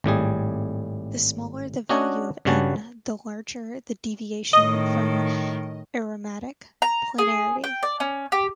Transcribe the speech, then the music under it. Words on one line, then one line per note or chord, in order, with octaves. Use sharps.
The smaller the value of n the larger the deviation from aromatic planarity.
G#1 A2 G3 G#4
C#4 D4 F#4 D#5 F#5 G#5
G2 C#3 G3 F#4 G#5 A5
A2 D#3 D#5
A#5
G#4
G5
D5
C#4
G4